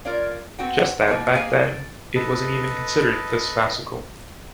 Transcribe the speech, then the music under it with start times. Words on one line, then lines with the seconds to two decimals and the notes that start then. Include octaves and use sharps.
Just that back then, it wasn’t even considered this classical.
0.05 F4 A#4 C#5 D5 F5
0.59 B3 C4 F#4 F#5 G5
1.07 B2 F3 G#3 A#3
1.35 A#3 G#4 F5 G#5
1.63 A4 G5
2.16 A4 B4 D#5